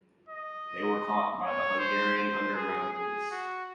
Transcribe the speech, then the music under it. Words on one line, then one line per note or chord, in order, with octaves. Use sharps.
They were caught by the Hungarian underground police.
D#5
C#5
C5
C5
G#4
G#4
F#4